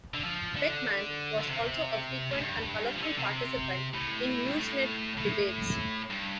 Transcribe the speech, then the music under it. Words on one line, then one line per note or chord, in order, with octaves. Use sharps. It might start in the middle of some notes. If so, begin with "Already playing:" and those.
Beckmann was also a frequent and colorful participant in Usenet debates.
D3
F3
D3
D3
C3
A2
G2
F3
D3
C3
A2
G2
A2
A2
G2